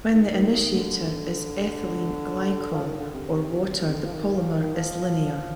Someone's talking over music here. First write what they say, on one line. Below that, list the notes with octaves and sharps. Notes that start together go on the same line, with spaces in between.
When the initiator is ethylene glycol or water the polymer is linear.
D#3
D#3
D#3
D3
F3
D#3
D3
C3
C3
D3
F3
D#3
F3
D#3
F3